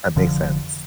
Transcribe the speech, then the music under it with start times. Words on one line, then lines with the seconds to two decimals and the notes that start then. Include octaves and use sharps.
That makes sense.
0.16 F1 D3 F3